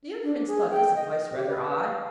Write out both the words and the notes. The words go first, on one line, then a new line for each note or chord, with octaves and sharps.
The young prince thought this advice rather odd.
D4
G#4
G5
D#5
G4
B4
F5